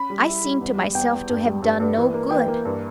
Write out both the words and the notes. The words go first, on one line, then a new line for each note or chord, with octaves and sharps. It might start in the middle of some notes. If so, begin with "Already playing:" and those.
I seemed to myself to have done no good.
Already playing: C#4 B5
G3
E4
G3
E2
G3
E2 G5
E2
G2
G3
G2
G2
E3
A#3
E3 G5
A#3
G2